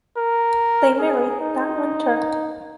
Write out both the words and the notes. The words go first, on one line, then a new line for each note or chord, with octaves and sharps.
They married that winter.
A#4
G#4
D#4